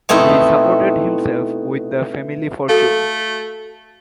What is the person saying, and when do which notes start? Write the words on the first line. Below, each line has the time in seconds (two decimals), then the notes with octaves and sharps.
He supported himself with the family fortune.
0.09 B2 A3 C4 D#4 E4
2.69 A3 F#4 A4 F5